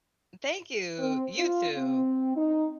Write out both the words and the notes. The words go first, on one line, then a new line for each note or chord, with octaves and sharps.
Thank you. You too.
C4
F4
C4
D#4